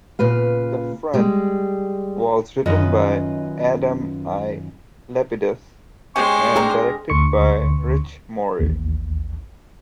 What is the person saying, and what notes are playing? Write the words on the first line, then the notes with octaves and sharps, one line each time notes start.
"The Front" was written by Adam I. Lapidus and directed by Rich Moore.
A#2 C#3 B4 F5
G3 G#3
F#2 D#3 C#4 F4 B4 D#5
G#3 C#4 G4 C5 C#6
C4 D4 G#4 A#4
D2 D3 C6 C#6 C#7
A1 D#2